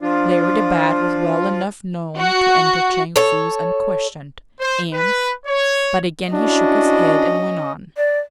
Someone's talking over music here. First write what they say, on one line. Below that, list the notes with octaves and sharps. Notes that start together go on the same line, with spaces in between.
Larry the Bat was well enough known to enter Chang Foo's unquestioned, and--but again he shook his head and went on.
F3 D4 F4
F#4
A4 C#5
C5
B4
C#5
C#4 D4 E4 F#4 D#5
D5